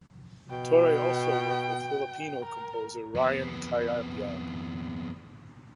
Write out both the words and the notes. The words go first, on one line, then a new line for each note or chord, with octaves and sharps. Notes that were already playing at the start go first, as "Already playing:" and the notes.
Torre also worked with Filipino composer Ryan Cayabyab.
B2 G5
A#4
F2 B3